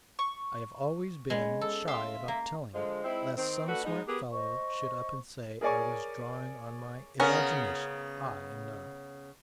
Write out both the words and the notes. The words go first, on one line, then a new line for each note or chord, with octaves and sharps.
I have always been shy about telling it, lest some smart fellow should up and say I was drawing on my imagination: I am not.
C#6
G#3 B3 C#4
A4
E5 F5 C6
A#3
D3 F3 G#3
G#3 C4 D#4 E4
D#3 C4
A3 D4 F#4 A4 B4
G#3 B3 D#4
B3 G4 G#4 A#4 B4
C5 D#5 C#6
G#4 A#4 C#5 D5 G#5 C#6
C#3 B3 C#4 A#4